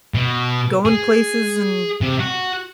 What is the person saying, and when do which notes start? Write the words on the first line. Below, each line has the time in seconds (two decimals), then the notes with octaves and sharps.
going places and,
0.14 B2
0.85 G#4
2.01 C3
2.20 F#4